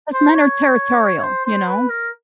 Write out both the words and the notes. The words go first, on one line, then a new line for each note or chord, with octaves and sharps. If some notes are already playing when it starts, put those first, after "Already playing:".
'Cause men are territorial, you know?
C5
C#5
C#5
C5
C5
B4
A#4